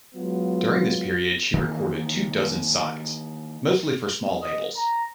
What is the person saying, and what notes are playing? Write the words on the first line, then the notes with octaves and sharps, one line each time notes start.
During this period she recorded two dozen sides, mostly for small labels.
F#3 G#3 B3 F4
D#3 E3 A#3
D#5
A#5